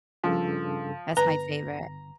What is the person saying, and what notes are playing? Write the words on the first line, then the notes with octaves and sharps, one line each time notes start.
That's my favorite.
G2 C#3 F3 A4
G1 B4 A#5